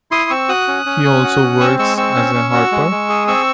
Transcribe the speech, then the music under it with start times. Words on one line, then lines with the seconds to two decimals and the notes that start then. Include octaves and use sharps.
He also works as a Harper.
0.11 E4 C6 D#6
0.30 C4 C#6 E6
0.49 F#4 D#6 F#6
0.68 C#4
0.86 C#4
1.05 C#4
1.24 F#4
1.42 C#4
1.60 C4 C#6 E6
1.79 G#3 C#6 E6
1.97 C4 C#6 E6
2.16 C#4
2.35 C#4
2.54 F#4
2.72 G#3
2.91 G#3
3.09 G#4
3.27 C4 C#6 E6